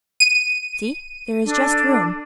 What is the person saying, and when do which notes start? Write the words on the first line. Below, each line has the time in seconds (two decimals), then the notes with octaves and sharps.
"See! there is just room."
0.20 D#7
1.44 D4 A4